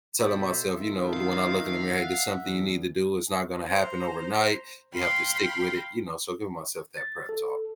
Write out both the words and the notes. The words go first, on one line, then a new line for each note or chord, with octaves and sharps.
telling myself, you know, lo when I look in the mirror, "Hey. There's something you need to do. It's not gonna happen overnight. You have to stick with it." You know? So, I give myself that prep-talk.
B2 A4 C5 E5 B5
D#3 F4 E5
F5
F#5
E2
C5 A#5
F5 G5 B5 C6
A6
A4